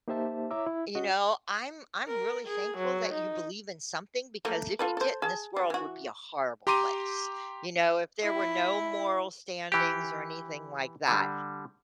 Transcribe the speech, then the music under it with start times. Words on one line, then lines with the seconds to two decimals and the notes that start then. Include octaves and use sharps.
You know, I'm I'm really thankful that you believe in something because if you didn't, this world would be a horrible place, you know, if there were no moral standings or anything like that.
0.08 A#3 D#4 G4 C5 E5 A5
0.51 E4 C#5 E5 A#5 D6 E6
0.66 E4
0.95 C#4 F#4 D#5
2.08 A#4
2.47 G#4
2.78 F#3
3.13 D#4
4.45 A3 A#3
4.79 F4 A4 B4
4.97 A4 C5
5.22 G#4 A5
5.57 G3
5.70 E3 F#4
6.67 G4 A#5 C6 D6 D#7
8.23 E4
9.72 E3 G4
11.08 D3 G3